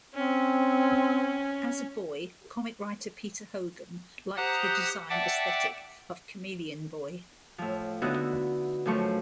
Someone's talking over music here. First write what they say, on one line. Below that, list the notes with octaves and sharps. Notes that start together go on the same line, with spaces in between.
As a boy, comic writer Peter Hogan liked the design aesthetic of Chameleon Boy.
C4 C#4
G4 C5 F#5 A#5 D#6 F#6
D5 E5 F#5 G5 A5 D6
A2 F3
D3 B3 D#4 E4 F#4
F#2 F3 A3 C#6